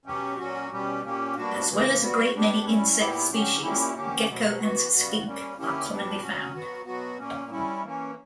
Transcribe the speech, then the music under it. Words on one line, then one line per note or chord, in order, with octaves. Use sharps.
As well as a great many insect species, gecko and skink are commonly found.
B2 F#3 C#4 G4
A#2 F#3 C#4 F#4
B2 G3 C#4 G4
A#2 A#3 C#4 G4
B2 G3 A#3 D4 F#4
C#3 E3 A#3
G3 B3 F#4
G3 B3 D4 G4
G3 C#4 E4
A#2 F#3 B3 E4 G4
D3 F#3 C#4 G4
A#2 A#3 C#4 E4 G4
D3 A#3 C#4 G4
B2 F#3 B3
E3 B3 F#4
C#3 G3 B3 F#4
G3 A#3 C#4
D3 A#3 C#4 E4 G4
A#2 G3 B3 D4 G4
F#3 C#4 F#4
F#3 B3 F#4
B2 F#3 B3 F#4
A#2 A#3 C#4
G3 C#4 E4
E3 A#3 C#4